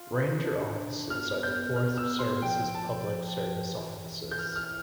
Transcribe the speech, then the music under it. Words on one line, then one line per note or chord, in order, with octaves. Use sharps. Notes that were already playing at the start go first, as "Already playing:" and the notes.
Ranger offices are the Forest Service's public service offices.
Already playing: F4
D4
B3 F6
G6
F6
E6
C6
F3 G5
A5
E3
G6
F6
F6